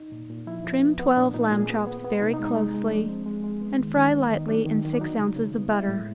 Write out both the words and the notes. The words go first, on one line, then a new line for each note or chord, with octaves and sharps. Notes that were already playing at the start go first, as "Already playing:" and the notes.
Trim twelve lamb chops very closely and fry lightly in six ounces of butter.
Already playing: D#4
A#2
A#2
F3 E4
F3
B3
B3
A#2 D4
A#2 D#4
A#2 G#4
B3
B3
B3
C3 D#4
D#4
G#3
D#4
G#3
G#3
F3 D4
C4
G#3
G#3
B3
D#3
D#3
B3
D#3 D#4
F#3 D4
D#3
D#3
D4
F#3 D#4
C#3
C#3
B3
G#3 E4
A2